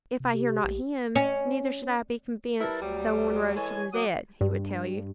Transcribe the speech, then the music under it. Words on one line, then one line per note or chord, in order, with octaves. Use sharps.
If I hear not him, neither should I be convinced though one rose from the dead, he would tell you.
C3
G4
A#1
C#4
G3 E4 A#4 B4 A5
D2 F#3 G3
E3 G#3 A4 C#5 G#5
B2 F#3 F#5 D6 D#6
G2